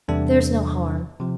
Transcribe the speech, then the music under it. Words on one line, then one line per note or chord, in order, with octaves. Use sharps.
'There's no harm.
E2 C3 G3 D4 A4
C3 F3